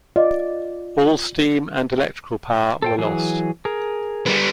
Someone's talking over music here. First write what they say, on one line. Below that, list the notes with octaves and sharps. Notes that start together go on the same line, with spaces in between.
All steam and electrical power were lost.
F4 D5 D#5
A4 C5 G5
E3 F#3 G#4
G#4 A#4
G3 B3